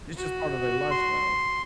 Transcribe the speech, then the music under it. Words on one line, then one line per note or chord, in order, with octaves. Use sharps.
It's just part of their lifestyle.
F#4
C6